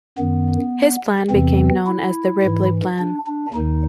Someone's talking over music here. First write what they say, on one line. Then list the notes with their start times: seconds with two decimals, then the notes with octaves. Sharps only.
His plan became known as the "Ripley Plan".
0.18 F#2 D#3 B3
1.30 E2 C3 E3 C4
1.86 E4
2.43 G#2 E3
2.99 D4
3.27 D4
3.54 D#2 D#3 D#4